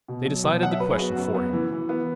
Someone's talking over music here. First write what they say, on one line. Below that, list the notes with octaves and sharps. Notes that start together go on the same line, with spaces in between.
They decided the question for him.
B2
F#3
B2
F#3 F#5
E5
F#3 B4
G#4
B3 F#4
F#2
B3
E3
E3
B3